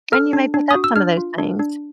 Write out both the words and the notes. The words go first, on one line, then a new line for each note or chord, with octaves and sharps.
And you may pick up some of those things.
A4 F6
D4
D4
F#4 D#6
E6
D4 F6
F4
D4
D4